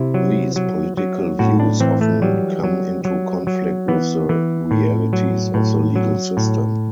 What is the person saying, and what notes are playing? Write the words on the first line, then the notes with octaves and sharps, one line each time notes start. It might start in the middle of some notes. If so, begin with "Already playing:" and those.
These political views often come into conflict with the realities of the legal system.
Already playing: C3 E4
F#3
F#3
F#3
A2 F#4
D4
E3 C4
A3
F#3 G3
F#3
F#3
F#3
E3 B3
E3
A2
F#3
A2
F#3
A2